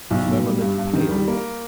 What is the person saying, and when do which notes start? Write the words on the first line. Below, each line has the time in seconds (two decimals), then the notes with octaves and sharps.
The firmament pales.
0.11 B1
0.28 B2
0.44 G3
0.61 G2
0.78 G2
0.93 D#3
1.10 G3
1.28 A#3